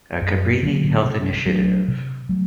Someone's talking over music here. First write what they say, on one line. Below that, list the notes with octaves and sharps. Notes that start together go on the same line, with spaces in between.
A Cabrini Health initiative.
F#2
D3 F#3 A#3
C3
F#3 A3 D4
C3
F#3 A3